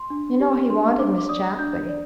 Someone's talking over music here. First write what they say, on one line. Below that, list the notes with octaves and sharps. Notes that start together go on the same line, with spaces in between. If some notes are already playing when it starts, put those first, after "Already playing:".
You know he wanted Miss Chapley.
Already playing: C6
D4
G4
D4 C6
D4 D6
D6
D5 D#6
D4 G6
D5